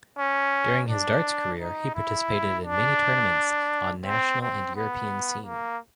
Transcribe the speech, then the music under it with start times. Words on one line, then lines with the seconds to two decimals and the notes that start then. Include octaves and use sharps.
During his darts career he participated in many tournaments on national and European scene.
0.19 C#4
0.89 D4
1.59 D#4
1.95 E4
2.65 D4
4.06 C4
4.41 C4
4.76 B3
5.46 A#3